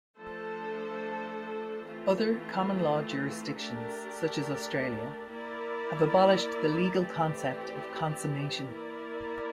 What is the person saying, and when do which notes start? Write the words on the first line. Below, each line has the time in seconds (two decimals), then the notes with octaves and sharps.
Other common law jurisdictions, such as Australia, have abolished the legal concept of consummation.
0.17 F3 A3 D4 A4 C5
1.87 E3 A3 C4 F4
3.58 A3 D4 G4 A#4 D5
5.28 A#3 E4 A#4 D5
6.99 E3 A3 C4 G4 D5
8.69 A#3 E4 A#4 D5